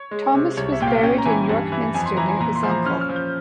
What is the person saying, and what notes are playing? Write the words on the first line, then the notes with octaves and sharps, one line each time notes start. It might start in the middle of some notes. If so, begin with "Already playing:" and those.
Thomas was buried in York Minster near his uncle.
Already playing: C#5
G#3
C3
C2 C#5
E5
A#2 G5
F5
C#4 G5
A#5
E3 G#5
G2
E3
F2 G#5
C6
E3 A#5
G#5
A#2 A#5
C6
F3
A#5
C#4 F6
F6
F3
G6